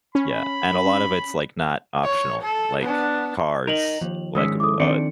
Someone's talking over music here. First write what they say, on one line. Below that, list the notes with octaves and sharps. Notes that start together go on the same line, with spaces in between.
Yeah, and a lot of it's, like, not optional, like, cars, like, uh, s
C#4 B5
C#5
A4
B3 D4
D#4 A#4 F7 F#7
D#2 F3
G#2 D#3 G#3 C#4 D#6 E6 B6
E4 A4 D6 D#6
D#3 C4 D4 D5 C#7